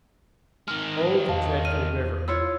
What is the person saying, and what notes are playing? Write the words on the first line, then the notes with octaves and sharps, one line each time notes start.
Oh, the dreadful river!'
D#3 G#3 F6
E2 F5 A5
F6 D#7
E4 F4 C#5 E6